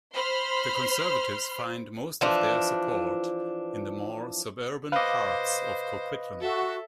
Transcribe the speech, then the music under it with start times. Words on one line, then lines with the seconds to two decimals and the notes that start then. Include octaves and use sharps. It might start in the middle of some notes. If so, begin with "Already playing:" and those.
The Conservatives find most of their support in the more suburban parts of Coquitlam.
0.15 C5 B5 C6 F6
2.21 E3 F3 D4
4.92 B4 C5 D#5 F5 D6
6.41 F#4 A4 E5